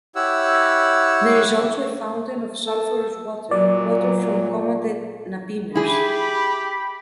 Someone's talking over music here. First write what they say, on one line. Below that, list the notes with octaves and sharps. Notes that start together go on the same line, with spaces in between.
There is also a fountain of sulfurous water, water from Coma de Nabiners.
E4 G4 C#5 F#5 E6
A4
A#2 F#3 D5
E4 G4 G#4 B5